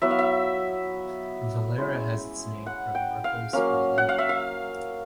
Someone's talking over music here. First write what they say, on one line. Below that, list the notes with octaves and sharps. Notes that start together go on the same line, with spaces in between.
Valera has its name from Marcos Valera.
F#3 B3 E4 E5
F5
E5
G#3 C#4 E4
F#5
G5
F5
F#3 A#3 C#4 F5
F#5
F5
E5
F5